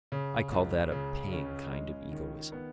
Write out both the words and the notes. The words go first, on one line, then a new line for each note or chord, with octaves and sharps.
I call that a paying kind of egoism.
C#3
C#2
C#3
C#4
G#3
D#3
B3